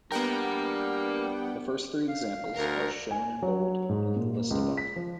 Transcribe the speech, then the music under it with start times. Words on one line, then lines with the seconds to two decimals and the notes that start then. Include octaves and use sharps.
The first three examples are shown in bold in the list above.
0.12 G3 A#3 B3 D4 A#4 F#5 G5
2.08 F5
2.57 D2 A#4
3.11 G#5
3.42 F#3
3.89 G#2
4.16 A#2
4.39 A#3
4.50 C#2
4.77 B6
4.96 F3